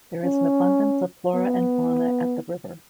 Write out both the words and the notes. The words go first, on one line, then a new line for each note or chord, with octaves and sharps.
There is an abundance of flora and fauna at the river.
C#4
B3